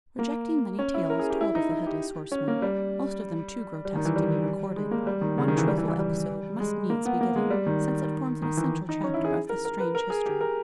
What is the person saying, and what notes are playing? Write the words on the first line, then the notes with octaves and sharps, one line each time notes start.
Rejecting many tales told of the Headless Horseman--most of them too grotesque to be recorded--one truthful episode must needs be given-- since it forms an essential chapter of this strange history.
A#3
C#4
E4
A#4
G#4
G4
E4
D#4
E4
G4
C#4
A#3
G3
G3
D#3
E3
G3
G#3
A#3
G3
D#3
C#3
D#3
E3
G3
E3
E3
G3
G#3
A#3
B3
A#3
G#3
G3
D#3
D#3
E3
D#4
C#4
E4
G#4
A#4
A#4
B4
A#4
G#4
G4
A#4